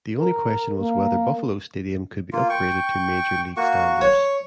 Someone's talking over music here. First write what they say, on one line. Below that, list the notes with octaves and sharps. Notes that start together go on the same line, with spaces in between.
The only question was whether Buffalo Stadium could be upgraded to major-league standards.
A#4
A#3
A#3 F4
G5 C#6
A#3 F#4 C#6
C#5 C#6